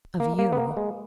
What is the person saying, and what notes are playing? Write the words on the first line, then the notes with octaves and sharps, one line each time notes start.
"Of you?"
A#3
A#3
B3
A#3
G#3